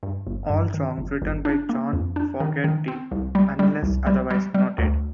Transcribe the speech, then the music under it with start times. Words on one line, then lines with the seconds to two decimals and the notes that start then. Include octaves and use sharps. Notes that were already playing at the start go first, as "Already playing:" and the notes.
All songs written by John Fogerty, unless otherwise noted.
0.03 G2
0.27 G1
0.50 G2
0.74 D#3
0.98 G1
1.22 G1
1.45 D4
1.69 A#3
1.93 F2
2.16 D4
2.40 D#3
2.64 D#3
2.88 C4
3.11 C2
3.35 G3
3.59 G3
3.83 C2
4.07 G3
4.31 G3
4.54 G3
4.78 D2